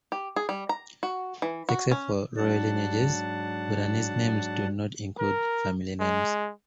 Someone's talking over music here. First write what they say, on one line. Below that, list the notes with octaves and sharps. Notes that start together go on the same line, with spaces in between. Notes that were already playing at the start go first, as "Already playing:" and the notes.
Except for royal lineages, Bhutanese names do not include a family name.
G4
G#4
G3
A#5
F#4
E3
F#4
C#4
G#2 F#3 D4 F#5 A5
A#4
G#3